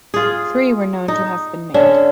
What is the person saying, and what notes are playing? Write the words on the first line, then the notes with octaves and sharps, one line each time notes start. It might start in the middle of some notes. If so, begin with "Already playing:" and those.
Three were known to have been made.
F4 G#4
D#4
D3 C#4 E5